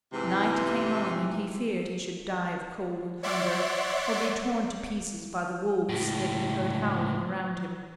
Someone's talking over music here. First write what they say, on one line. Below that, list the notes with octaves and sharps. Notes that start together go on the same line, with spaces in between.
Night came on, and he feared he should die of cold and hunger, or be torn to pieces by the wolves that he heard howling round him.
G#2 C3 E3
C#5 D5 E5 F#5 C6 D6
C#2 A2